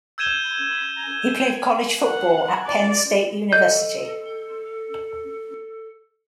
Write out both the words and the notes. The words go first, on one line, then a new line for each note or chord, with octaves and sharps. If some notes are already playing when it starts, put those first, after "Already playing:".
He played college football at Penn State University.
E6 G6 G#6 D#7 E7 G7
F#5
D5
A4 D#5 G6